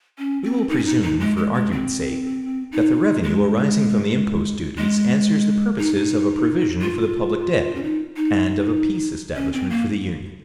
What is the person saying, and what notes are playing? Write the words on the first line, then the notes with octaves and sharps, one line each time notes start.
We will presume, for argument's sake, that the revenue arising from the impost duties answers the purposes of a provision for the public debt and of a peace establishment for the Union.
C#4
C4
D#4
C#4
D#4
D#4
G#3
G#3
G#3
C4
D#4
G#3
G#3
D#4
F4
C#4
D#4
D#4
C#4
C4
A#3